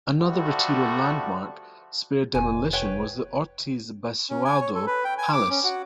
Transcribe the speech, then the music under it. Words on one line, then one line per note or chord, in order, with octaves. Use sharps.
Another Retiro landmark spared demolition was the Ortiz Basualdo Palace.
D3 F3 G3 A3 F#4
F1 G#5
B4 C#5 G5
C#4
G#5
C#5
A4
B4
G5
G#5
D6
C#4
F#4